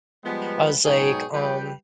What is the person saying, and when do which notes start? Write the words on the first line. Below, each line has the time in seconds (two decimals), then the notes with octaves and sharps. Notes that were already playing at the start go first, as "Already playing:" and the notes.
I was, like, um,
0.25 F3 G3 G#3 B3
0.85 G#2 B2 F#3 G#4 C#5 G5
1.33 F3 G3 G4 B4 G5